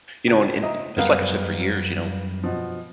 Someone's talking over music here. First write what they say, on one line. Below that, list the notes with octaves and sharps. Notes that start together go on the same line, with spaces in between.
You know, and and d just like I said for years, you know,
C#2
D#5 E5 A#5
F#2 G3 B3 G4 A#4 F5
B2 F3